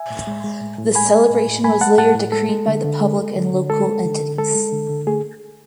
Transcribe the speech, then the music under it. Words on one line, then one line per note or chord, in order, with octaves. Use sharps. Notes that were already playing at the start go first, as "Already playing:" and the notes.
This celebration was later decried by the public and local entities.
Already playing: E5 G#5
A2
G#3
G#3
A2
A2
G#3 G#5 B5
G#3
A2
A2
G#3 G#5 B5
G#3 F#5 A5
A2 F#5 A5
A2
G#3 A4
G#3
D3
D3
G#3
G#3
D3
D3
G#3 A4
G#3
D3
D3
G#3 A4
G#3
D3
D3
A3 G#4